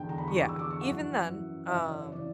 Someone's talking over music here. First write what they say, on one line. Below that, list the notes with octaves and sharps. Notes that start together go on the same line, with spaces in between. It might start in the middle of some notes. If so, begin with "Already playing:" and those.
yeah, even then, um
Already playing: E2 D3 G5
A#5
B5
C#6
E2 D3 D6
E6
D6
C#6
F#2 E3 F#5
F#2 E3
F#2 C#3 E3 E5
D5
C#5
C#5
C#3 E3 D5